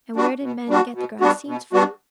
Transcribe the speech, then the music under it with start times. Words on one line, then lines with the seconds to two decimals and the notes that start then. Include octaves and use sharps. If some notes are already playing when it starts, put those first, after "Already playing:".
And where did men get the grass seeds from?
0.16 G3 D4 F#4
0.42 B2
0.68 G3 D4 F#4
0.95 B2
1.20 G3 B3 D4 F#4
1.47 B2
1.73 G3 B3 D4 F#4